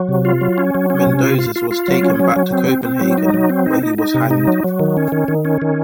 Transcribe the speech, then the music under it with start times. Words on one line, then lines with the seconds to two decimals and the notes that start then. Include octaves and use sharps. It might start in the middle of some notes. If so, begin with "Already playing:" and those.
Mendoses was taken back to Copenhagen where he was hanged.
Already playing: F#3
0.09 C3
0.25 F4
0.41 F#3
0.58 C#4
0.75 F#3
0.90 C#4
1.07 C3
1.23 F4
1.39 F4
1.56 F4
1.71 F4
1.88 F#3
2.03 C#4
2.20 F#3
2.36 F#3
2.52 C4
2.69 C4
2.85 C4
3.01 F#3
3.18 D#4
3.34 F#3
3.49 C4
3.66 D#4
3.83 D#4
3.98 D#4
4.14 C3
4.31 D#4
4.48 F#3
4.64 F#3
4.80 D#3
4.97 C#4
5.12 D#3
5.28 D#3
5.45 C#4
5.62 D#3